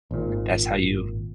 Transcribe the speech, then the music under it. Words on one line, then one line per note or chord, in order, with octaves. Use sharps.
that's how you
G#1 A#2